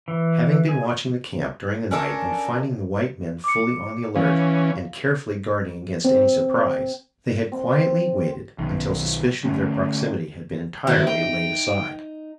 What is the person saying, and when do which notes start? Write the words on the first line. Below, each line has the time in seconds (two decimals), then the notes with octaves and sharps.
Having been watching the camp during the night and finding the white men fully on the alert and carefully guarding against any surprise, they had quietly waited until suspicion of their proximity had been entirely laid aside.
0.08 E3
0.69 G#4
1.91 C#4 D4 A4 A#4
3.44 D6 C#7
4.16 E3 C#4 F5
6.05 C4
7.52 C4
8.58 B1 D#3
9.44 D2 A3 C#4
10.87 D#3 C4 E4 F#4
11.07 D#4 G5